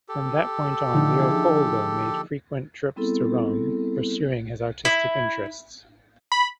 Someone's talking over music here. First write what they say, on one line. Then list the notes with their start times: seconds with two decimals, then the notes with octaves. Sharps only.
From that point on Leopoldo made frequent trips to Rome, pursuing his artistic interests.
0.09 G4 A4
0.66 E6
0.93 D3 F3 D#4
1.17 A#3 E4 G#4
2.96 G3 B3 C4 E4 G#4 A4
4.85 E4
6.32 B5